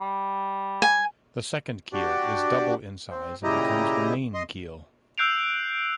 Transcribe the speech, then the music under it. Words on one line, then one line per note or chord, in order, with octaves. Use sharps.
The second keel is double in size and becomes the main keel.
G3
G#5
D4 F#4 G4 D5
C4
A#2 C#3 E4 G4 D#5 A#5
D#5 C6
E6 F#6 G6 C7 D7 F7